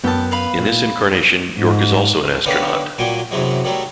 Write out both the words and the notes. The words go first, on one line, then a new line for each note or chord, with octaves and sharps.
In this incarnation, York is also an astronaut.
F#2 B3 G5 A5
B4 F5 B5
A#2
G#2
D3 D#3 A#3 B3 C#4 D4
A#2 F#3 G3 G5 G#5 C6
F#2 C3 E3 F#3 G#3
D#3 F#3 G3 A3